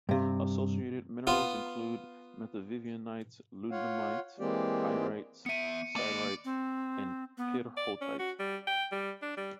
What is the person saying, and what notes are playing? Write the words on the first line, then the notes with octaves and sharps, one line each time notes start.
Associated minerals include metavivianite, ludlamite, pyrite, siderite and pyrrhotite.
G2 C3
B3 F4
F4 C#5 F5 F#5
E3 G#3 A#3 C4 G4 D5
B3 E5 C#7 D#7
A#3 D5 D#5
C4
B3
D5
C#4
F#4
G3
G5
G3
D4
G3